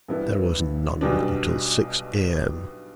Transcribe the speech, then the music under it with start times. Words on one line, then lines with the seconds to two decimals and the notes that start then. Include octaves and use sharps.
There was none until six A.M.
0.08 G2 E3 B3 E4
1.01 B1 B2 G3 B3 D4